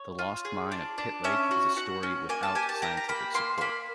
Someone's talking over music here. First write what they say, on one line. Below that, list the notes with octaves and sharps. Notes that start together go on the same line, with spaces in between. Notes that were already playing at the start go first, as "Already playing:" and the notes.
The lost mine of Pitt Lake is a story without scientific support.
Already playing: C#5
F4
G#4
D4
D4
C#4 E5
F#4
F#4 F#5
C#4
A#3 G#5
A5
G4 G#5
A5
G4 A#5
A#5
A#3 B5
A#3 C6
C6
A#3 B5